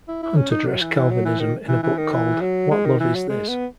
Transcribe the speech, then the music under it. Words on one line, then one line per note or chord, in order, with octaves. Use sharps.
Hunt addressed Calvinism in a book called What Love is This?
E4
E4
C#4
D#4
F#3
E3
E3
F#3
E3
D#3
E3
E3
D#3
E3
F#3
G#3
D#3
E3
F#3
G#3
B3